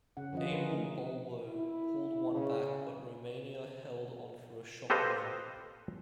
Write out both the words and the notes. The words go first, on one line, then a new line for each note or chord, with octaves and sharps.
Abel Balbo pulled one back, but Romania held on for a shock win.
C#3 C#4 F#5
D3 F3 C#4 F4 D#5
A#4 B4
A3 D#4
E4
C#3
G4 A4 B4 C5 D#5 F5